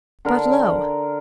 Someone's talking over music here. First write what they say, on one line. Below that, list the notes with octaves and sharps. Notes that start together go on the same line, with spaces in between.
But, lo!
D3 A#4